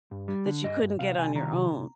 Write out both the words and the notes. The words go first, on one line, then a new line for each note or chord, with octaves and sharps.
that you couldn't get on your own.
G2
G3
D3
G2 D#5
G2
C2 F5
C2 G#5
D#3 A#5
C3
C2